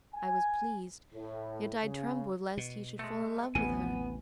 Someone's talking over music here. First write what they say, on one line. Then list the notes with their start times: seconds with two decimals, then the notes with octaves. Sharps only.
I was pleased, yet I trembled lest he should fall in love with her!
0.14 G#5
1.14 A2
1.83 C#3
2.57 B2
2.99 G#3 A3
3.55 A1 D#2 C3 B3 G#5